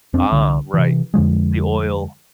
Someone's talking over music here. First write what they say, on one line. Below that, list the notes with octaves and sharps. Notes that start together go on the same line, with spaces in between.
Ah, right. M the oil.
E1 F2 C4 D4
C2 D3
C3 E3
F2 D3 F3 G#3